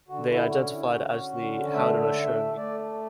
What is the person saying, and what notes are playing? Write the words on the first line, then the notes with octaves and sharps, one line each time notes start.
They identified as the Haudenosaunee.
D3 F#4
E4
C#4 F#4
F#4
E4
C#4 F#4
D3
A3 E5
E5
A3
A3 D5